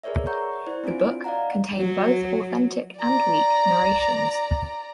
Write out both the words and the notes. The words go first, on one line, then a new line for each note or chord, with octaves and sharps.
The books contain both Authentic and weak narrations.
G#4 A#4 B4 C#5 D5 E5
F#5 A#5 C#6 G6
E4 C5 D5
C4 D4 F4 F#4 D7
D5 D#5 F5 F#5 A#5
F#3
D5 A#5